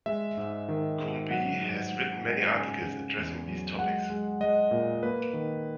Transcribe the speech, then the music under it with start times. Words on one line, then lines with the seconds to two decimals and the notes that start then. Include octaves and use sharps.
Coombe has written many articles addressing these topics.
0.06 G#3 E5
0.37 G#2
0.68 D#3
1.00 G#2
1.31 F#3 F#5
1.61 G#2
1.93 G#2
2.23 G#2
2.54 C#3 G#5
2.86 C#3
3.17 E2
3.48 F#3
3.79 G#3 F#5
4.10 G#3
4.41 G#3 D#5
4.71 A#2
5.03 A#3 B4
5.33 D#3